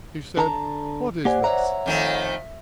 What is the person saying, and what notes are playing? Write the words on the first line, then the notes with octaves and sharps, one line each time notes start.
He said: 'What is this?
D3 A5 A#5
A#3 G4 C5 D5 F#5 G#5
C#5 E5 F#5 A#5
F2 D#3 A3